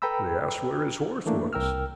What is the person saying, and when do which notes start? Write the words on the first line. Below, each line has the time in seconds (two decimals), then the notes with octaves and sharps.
They asked where his horse was.
0.02 A4 B4 G5 A#5 B5 E6
1.26 E3 A3 A#3 D4
1.53 C2 A#4 G5 E6 F6